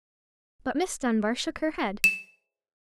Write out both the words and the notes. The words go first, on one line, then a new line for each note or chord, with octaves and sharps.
But Miss Dunbar shook her head.
E7